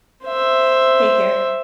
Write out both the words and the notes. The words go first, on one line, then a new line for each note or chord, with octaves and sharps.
Take care.
C5 E5